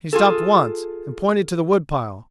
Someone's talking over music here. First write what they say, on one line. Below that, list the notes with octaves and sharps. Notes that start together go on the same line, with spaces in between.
He stopped once, and pointed to the wood pile.
F4 G#4 A4